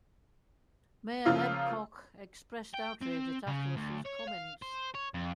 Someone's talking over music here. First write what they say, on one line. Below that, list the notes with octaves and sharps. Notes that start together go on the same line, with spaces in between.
Mayor Ed Koch expressed outrage at Atlas's comments.
C#3 F3 A#3 F4 F5 E6
G5
C4
C#3
D2
C#5
F5
C5
C#5
F2